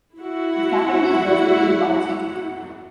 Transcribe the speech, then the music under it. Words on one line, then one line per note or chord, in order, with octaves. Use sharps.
Its capital is the city of Bauchi.
E4 F#4 F#5